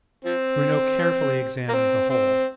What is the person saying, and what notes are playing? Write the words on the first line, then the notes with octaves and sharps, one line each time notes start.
Bruno carefully examined the hole.
F3 C4
A#3
C4
C4